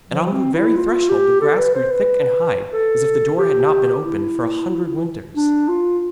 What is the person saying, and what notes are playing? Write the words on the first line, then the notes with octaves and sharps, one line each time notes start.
And on the very threshold the grass grew thick and high, as if the door had not been opened for a hundred winters.
F3
C4
E4
F4
G4
A4
B4
C5
B4
A4
G4
E4
D4
F4